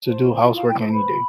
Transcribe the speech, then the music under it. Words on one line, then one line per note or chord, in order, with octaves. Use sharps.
to do housework any day. S
C5 A5
F4
F4
E4 F5
E4 G5
C5 A5
B4 B5
F4